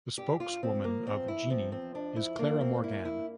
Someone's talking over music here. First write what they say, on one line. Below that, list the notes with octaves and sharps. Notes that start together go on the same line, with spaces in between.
The spokeswoman of Gini is Clara Morgane.
G2 G4
F4
F3 C4
A#3
E2 C4
E4
F3 C4
C4
F2 D4
E4
A#3 D4
C4
G2 E4
E4